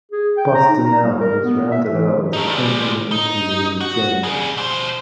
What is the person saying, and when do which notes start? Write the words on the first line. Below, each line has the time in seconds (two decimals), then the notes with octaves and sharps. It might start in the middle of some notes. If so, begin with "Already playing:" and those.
"Bustin' Out" was rounded out with a twenty-minute interview with Jennings.
0.12 G#4
0.37 G5
0.55 A#5
0.69 D#4
0.85 A#5
1.03 G3
1.20 A#4
1.44 B3
1.72 E5
1.91 E3
2.33 A3 D#4
2.47 G3 G#3
3.12 D#4
3.81 F#4
4.24 G3 G#4
4.57 B2 C5